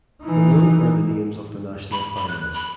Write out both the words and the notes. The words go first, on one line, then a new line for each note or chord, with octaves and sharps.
Below are the names of the national finalist.
E3 D#4
B5
B5
F#6
B5